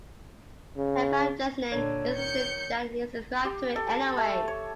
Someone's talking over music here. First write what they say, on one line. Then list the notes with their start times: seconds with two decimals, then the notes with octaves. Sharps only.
Emperor Justinian insisted that he subscribe to it anyway.
0.77 C#3
1.72 A#2 D3 C#5
2.15 D#3 G6 C#7
3.45 G4
3.76 A4
3.90 A5
4.17 A3
4.48 C#5